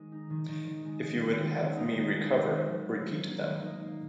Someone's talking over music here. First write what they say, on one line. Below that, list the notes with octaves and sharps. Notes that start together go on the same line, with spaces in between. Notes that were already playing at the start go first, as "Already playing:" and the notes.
If you would have me recover, repeat them.
Already playing: D#3 G#3
D#4
D#3
D#3
D#3
G#3
G#3
G#3
D#3
D#3
D#4
D#4
G#3
C4
D#3
F#3
A#3
A#3
A#3
D#3
D#4
A#3